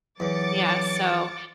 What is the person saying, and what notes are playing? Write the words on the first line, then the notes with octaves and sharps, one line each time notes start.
yeah, so,
E2 F#3 D6 A6 C#7